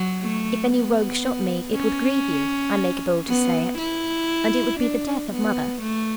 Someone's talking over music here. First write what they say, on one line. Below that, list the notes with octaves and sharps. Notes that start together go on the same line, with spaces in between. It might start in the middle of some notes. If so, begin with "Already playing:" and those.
If any rogue shot me it would grieve you; I make bold to say it, and it would be the death of mother.
Already playing: F#3
A3
B3
C#4
B3
E4
D4
B3
A3